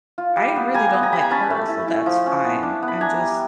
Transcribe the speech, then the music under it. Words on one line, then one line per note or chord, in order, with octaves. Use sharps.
I really don't like her, so that's fine. I'm just
F4
G3
B3
G3 G#5 A#5
B3
A#5
G3 B5
G#5 A#5
C#4 A5 B5
A3
E4
E4
F3
C#4
B3
D4
B3
B5
D4 G#5 A#5
G3